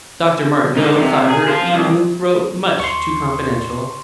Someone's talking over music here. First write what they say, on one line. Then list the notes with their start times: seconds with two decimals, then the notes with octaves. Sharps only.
Dr. Martineau thought her evening throat much too confidential.
0.77 G#2 D#4
0.98 C3
1.30 G#4
1.48 F4 C5
1.73 C2
2.80 D#2 C6 C#6